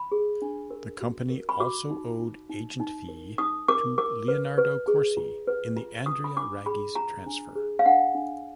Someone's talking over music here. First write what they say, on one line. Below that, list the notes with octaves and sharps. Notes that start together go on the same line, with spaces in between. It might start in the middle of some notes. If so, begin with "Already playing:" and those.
The company also owed agent fee to Leonardo Corsi in the Andrea Raggi's transfer.
Already playing: B5
G#4
D4
A#4
F#4
A#4
B5
F#4 D6
D#4
D#4
D#4
D#4
A#4
D#4 D#6
A#4 D6
A#4 D6
B4
B4
G#4
F4
B4
F4
F4 D#6
B5
D4 D6
G#4 B5
F4 A#5
D4
G#4
F5
D4 F#5
D4